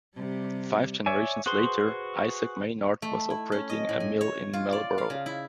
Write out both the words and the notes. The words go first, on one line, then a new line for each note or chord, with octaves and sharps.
Five generations later, Isaac Maynard was operating a mill in Marlborough.
C3 G3
C#5 D5 E5 G#5
F#4 G#4 B4 C5 C6
A3
E4
C#4
D#5
A2
G#5
C#5
F4
D5
F5
C#3
E4